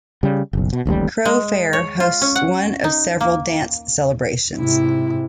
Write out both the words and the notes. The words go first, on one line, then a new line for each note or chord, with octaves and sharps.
Crow Fair hosts one of several Dance Celebrations.
C#3 G3
F#1 B1
B2
D1 A1 D#2 G3
G#3
C#5
F4
C#4
F#5
D#4
A#3
G#2 C3 E4